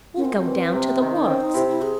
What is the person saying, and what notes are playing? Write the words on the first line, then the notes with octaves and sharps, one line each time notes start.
We'll go down to the Works.
F#2 C#4
C4
E3 C4
C3
D#3
D#4
C4 C#4
D#4
C3 E4
E4
G#4